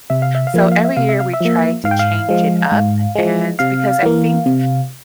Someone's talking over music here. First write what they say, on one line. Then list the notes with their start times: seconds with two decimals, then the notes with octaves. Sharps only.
So, every year we try to change it up. And because I think
0.10 C3 E5
0.22 F5
0.35 E5
0.47 F5
0.54 F3 A#3 E5
0.72 F5
0.84 E5
0.97 C3 F5
1.09 E5
1.20 F5
1.33 E5
1.41 F3 A#3
1.84 G#2 F5
1.91 G5
1.99 F5
2.29 F3 G#3
2.72 G#2
3.15 F3 G#3
3.59 C3 F5
4.03 E3 A#3
4.46 C3